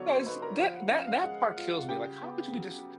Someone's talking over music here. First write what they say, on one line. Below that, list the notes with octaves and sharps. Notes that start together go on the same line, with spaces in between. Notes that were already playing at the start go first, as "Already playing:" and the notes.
No, is that that that part kills me, like, how could you be just
Already playing: D3 F#3 B3 C#5 D5 C#6
C5 C6
D#4 B4 B5
A#4 A#5
F3 F5
F#5
C#4 F5
F5
G#3 F#5
F4
C#3 G4 G5
B3
F#3